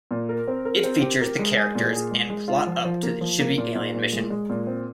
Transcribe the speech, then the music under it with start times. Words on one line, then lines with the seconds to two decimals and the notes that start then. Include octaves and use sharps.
It features the characters and plot up to the Chibi Alien mission.
0.11 A#2
0.29 A#4
0.48 C4
0.65 A#4
0.84 C4
1.02 G4
1.21 A#4
1.39 G#3
1.57 G#4
1.75 A#2
1.93 G#4
2.11 G#3
2.30 G#3
2.48 F4
2.67 F3
2.85 F3
3.03 A#3
3.21 F3
3.39 A#3
3.58 A#2
3.75 A#2
3.94 A#2
4.12 G#3
4.30 G#3
4.50 A#2
4.67 C4